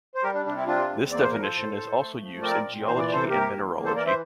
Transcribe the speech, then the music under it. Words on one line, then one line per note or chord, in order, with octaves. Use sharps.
This definition is also used in geology and mineralogy.
C5
G3 G4 A#4
D4
C3 D4
C4 E4
C4 D4 F4
E2
A#3 D5
C5
F3 A#4
A4 C5
A2
A2
A3
F3
C4 A#4 D5
A#2
E3 C5
D5
C3 A4 C5
A#3 G4 A#4
E2
A#3
A4 C5
E3 A#4 D5
C5 E5